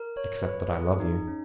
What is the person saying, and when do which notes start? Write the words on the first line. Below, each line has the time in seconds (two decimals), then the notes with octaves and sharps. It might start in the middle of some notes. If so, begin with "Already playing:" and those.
"Except that I love you."
Already playing: A#4
0.17 C#5
0.43 B4
0.72 G#4
1.00 D#4
1.28 C#4